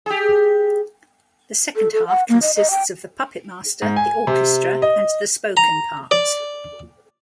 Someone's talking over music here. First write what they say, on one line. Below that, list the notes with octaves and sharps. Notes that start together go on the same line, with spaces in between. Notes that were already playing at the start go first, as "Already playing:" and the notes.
The second half consists of the puppet master, the orchestra, and the spoken parts.
G4 G#4
A4
A4
F#5
A#3
D#5
D#5
G5
G#2
G#5
C3
D#5
A#5
D5